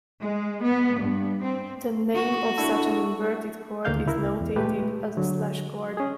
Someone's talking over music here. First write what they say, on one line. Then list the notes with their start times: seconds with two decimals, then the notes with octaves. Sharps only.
The name of such an inverted chord is notated as a slash chord.
0.22 G#3
0.65 B3
0.98 G2
1.43 C4
2.15 F#4
2.58 D4 E4 A4
3.85 D2 D#3 A#3 D5 F5 G6
4.06 C#2 E4 A#4
4.41 E2
4.56 A#2 G#3 A3 G4 B4
5.17 D3 F#3
5.97 C#4 G#4